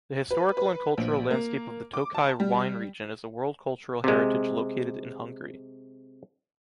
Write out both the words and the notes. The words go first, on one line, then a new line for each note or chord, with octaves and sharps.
The historical and cultural landscape of the Tokai wine region is a world cultural heritage located in Hungary.
B4
B4
A#1
A#3
D6
A5
G3
C3 G#3